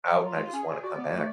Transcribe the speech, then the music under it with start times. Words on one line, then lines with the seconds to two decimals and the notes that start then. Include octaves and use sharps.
out and I just wanna come back.
0.11 F3
0.23 F#3 F4
0.37 G#3
0.53 C#4 G#4
0.83 F#4 D5
0.98 B3
1.13 A3